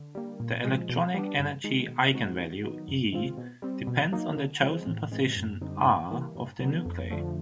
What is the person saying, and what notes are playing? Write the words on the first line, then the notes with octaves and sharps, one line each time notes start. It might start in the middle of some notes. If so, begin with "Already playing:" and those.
The electronic energy eigenvalue "E" depends on the chosen positions R of the nuclei.
Already playing: D3
G3 A#3
A#2
F3 G#3
B2
G3 B3 D4
G2
D#3 G#3
B2
G#3 C4 D#4 F#4
D#3
F#3 B3 D#4
F#2
D#3 G#3 C4 F4
B2
G3 C4
B2
F#3 A#3 D#4
D3
F3 G#3 C4
A2
E3 G#3 C4
F#2
D3 G3 C4 D#4
G2
E3 G3 A#3
G2
D3 F#3 B3
F2
D3 F3 A3